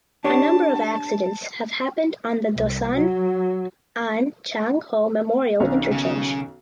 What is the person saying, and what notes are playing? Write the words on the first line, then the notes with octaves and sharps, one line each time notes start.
A number of accidents have happened on the Dosan Ahn Chang Ho Memorial Interchange.
D4 G4 C#5 A5
C2
F#3
B1 D#3 C#4 C#5
C#3